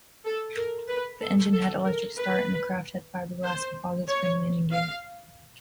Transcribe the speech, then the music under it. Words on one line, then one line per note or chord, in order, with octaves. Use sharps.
The engine had electric start and the craft had fiberglass composite spring landing gear.
A4
A#4
B4
A4
A4
A#4
B4
C5
C#5
F5